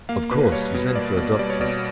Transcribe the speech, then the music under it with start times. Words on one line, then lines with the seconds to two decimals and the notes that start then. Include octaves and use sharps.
"Of course you sent for a doctor?"
0.09 A#3 F5
0.31 B2 B4
0.52 G3 C#5
0.74 B2
0.96 A#3 D5
1.17 B2
1.39 G3 D5
1.50 C#5
1.61 B2 D5